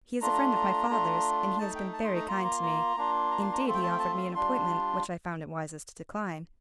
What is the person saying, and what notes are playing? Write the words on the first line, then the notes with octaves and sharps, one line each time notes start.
He is a friend of my father's, and he has been very kind to me--indeed, he offered me an appointment, which I found it wisest to decline.
A3 D4 F4 A#5
A#5
A#5
A3 D4 F4
A3 D#4 A5
G5
A5
C6
A#5
A#3 F4 A#5
A#5
A#5
A#3 D4 F4
A#5
C6
A#5
A3 C4 F4
G5
A5
G5
A5
F5
G3 D4 F4 C6